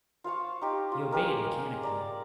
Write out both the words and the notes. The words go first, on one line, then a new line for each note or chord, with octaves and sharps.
He obeyed mechanically.
F4 C5 F5 C#6
D#4 G4 D#5
F4
G4 G#4 A#4 D#5
D5 A#5 D6